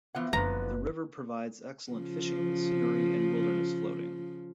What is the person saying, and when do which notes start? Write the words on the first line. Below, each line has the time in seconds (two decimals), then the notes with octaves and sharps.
The river provides excellent fishing, scenery, and wilderness floating.
0.15 E3 F3 B3 F#5
0.33 F#1 D3 F3 B3 E4 B4 A#5
1.92 C#3 F3